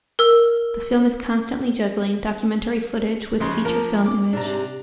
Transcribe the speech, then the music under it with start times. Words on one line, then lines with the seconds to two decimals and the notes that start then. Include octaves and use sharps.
The film is constantly juggling documentary footage with feature film image.
0.19 A#4 E6
3.40 C#3 F3 G#3 C6
3.65 F3 A#3 A#4
4.06 D6
4.33 G#2 C3 D4 A#5